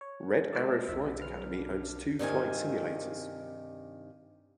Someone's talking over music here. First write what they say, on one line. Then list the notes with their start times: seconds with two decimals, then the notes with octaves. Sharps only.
Red Arrow Flight Academy owns two flight simulators.
0.01 C#5
0.31 F#3
0.53 G#3 D5 E5 A5
0.88 B1 E2 D4 E5
1.22 F#3 B4 F6
1.57 D4
2.19 G2 C3 D#3 G#5